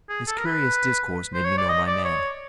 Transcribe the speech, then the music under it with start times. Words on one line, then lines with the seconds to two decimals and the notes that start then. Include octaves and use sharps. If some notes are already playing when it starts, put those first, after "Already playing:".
This curious discourse made me know my man.
0.09 G#4
0.27 A4
0.38 A#4
0.45 B4
1.34 C5
1.45 C#5
1.58 D5
1.69 D#5
1.87 D5
2.05 C#5